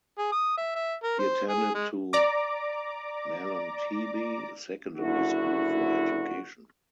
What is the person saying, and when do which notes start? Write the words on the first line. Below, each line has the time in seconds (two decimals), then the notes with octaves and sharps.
He attended to Mahlontebe Secondary School for education.
0.18 G#4
0.32 D#6
0.57 E5
0.76 E5
1.04 A#4
1.19 C5
1.48 G#4
1.74 G#3
2.13 D5 A#5 D6
4.97 F#1 D3 E4 F#4